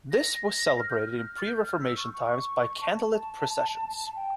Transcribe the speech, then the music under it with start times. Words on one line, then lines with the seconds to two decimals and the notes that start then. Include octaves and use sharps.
This was celebrated in pre-Reformation times by candlelit processions.
0.12 A#6
0.79 F6
0.89 G6
0.99 F6
1.13 F6
1.38 A6
1.46 G6
1.64 F6
1.80 E6
1.97 C#6
2.14 C#6
2.81 A5
4.16 G5